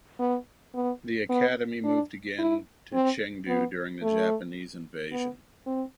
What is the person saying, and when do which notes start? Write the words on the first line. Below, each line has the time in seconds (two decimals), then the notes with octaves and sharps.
The academy moved again to Chengdu during the Japanese invasion.
0.20 B3
0.75 B3
1.29 B3
1.84 D4
2.38 E4
2.94 C4
3.48 B3
4.03 A3
5.12 B3
5.67 C4